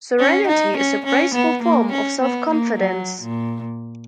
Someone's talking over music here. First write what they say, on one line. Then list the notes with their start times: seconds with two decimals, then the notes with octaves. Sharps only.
Serenity is a graceful form of self-confidence.
0.19 C#4
0.48 D#4
0.78 C#4
1.06 C#4
1.35 B3
1.63 A#3
1.92 C#4
2.22 B3
2.50 A#3
2.79 F#3
3.22 A#2